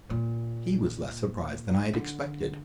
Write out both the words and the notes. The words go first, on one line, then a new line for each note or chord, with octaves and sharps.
He was less surprised than I had expected.
A#2
D3